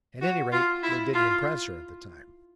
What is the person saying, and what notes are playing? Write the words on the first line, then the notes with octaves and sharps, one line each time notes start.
At any rate, they didn't impress her at the time.
F#4
F4
E4
F4